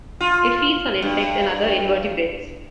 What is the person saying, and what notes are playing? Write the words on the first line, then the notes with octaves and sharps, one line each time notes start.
It feeds on insects and other invertebrates.
F4
G2